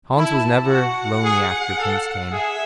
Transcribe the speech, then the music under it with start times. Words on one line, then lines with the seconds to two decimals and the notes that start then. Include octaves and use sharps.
Hans was never lonely after Prince came.
0.16 E4 A5
0.70 F#4 F#5
1.23 G#4
1.78 A4
2.32 G#4 E5